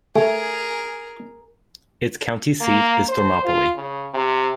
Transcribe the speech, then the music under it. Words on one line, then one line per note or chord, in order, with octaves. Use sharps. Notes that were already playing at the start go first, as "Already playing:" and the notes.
Its county seat is Thermopolis.
A3 G#4 A#4 G#5
A#3
C5
F4
C#3
C3